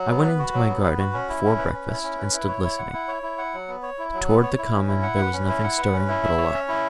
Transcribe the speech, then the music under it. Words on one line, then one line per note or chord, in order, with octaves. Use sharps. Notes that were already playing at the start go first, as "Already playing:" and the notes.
I went into my garden before breakfast and stood listening, but towards the common there was nothing stirring but a lark.
Already playing: F#3
B3
B4
F#4
F#3
B3
B4
F#4
C#4
E4
C#4
B4
C#4
E4
C#4
B4
E4
C#5
E4
F#5
E4
C#5
E4
F#5
F#3
B3
C#5
E4
F#3
B3
C#5
E4
C#4
E4
F#5
B4
C#4
E4
F#5
B4
C#4
E4
E5
C#5
C#4
E4